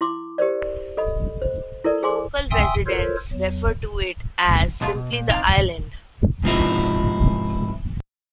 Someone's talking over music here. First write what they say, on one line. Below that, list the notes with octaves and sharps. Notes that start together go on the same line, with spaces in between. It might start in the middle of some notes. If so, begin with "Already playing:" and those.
Local residents refer to it as simply The Island.
E4 C6 D6
G4 A#4 C5 D5
A4 D#5 B5
C5
E4 A4 A#4 D5
G#4 C5 G#5 C6 D6
E5 G5 G#5 C6 D#6 E6
F4 A4 A#4 C5 C#5
E2 F#3
B1 B2 G#3 A3 F4
B2
A#2
C4 D#4 F4 G4 D5 F5
G#2 C3 F3 C4 D#4 E4